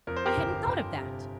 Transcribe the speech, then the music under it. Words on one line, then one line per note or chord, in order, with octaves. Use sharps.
I hadn't thought of that.
F2 A#4
C5
G4 A#4
G1
G1
C3